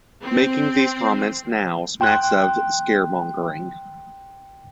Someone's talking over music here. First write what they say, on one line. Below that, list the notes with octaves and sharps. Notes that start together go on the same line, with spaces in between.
Making these comments now smacks of scaremongering.
C4
G5 C6 F#6